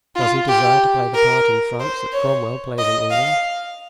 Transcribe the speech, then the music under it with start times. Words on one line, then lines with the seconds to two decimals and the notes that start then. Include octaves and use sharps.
"Does he desire to play the part in France that Cromwell plays in England?"
0.15 F4
0.48 G4
1.14 A#4
1.80 C5
2.12 C#5
2.78 D#5
3.11 F5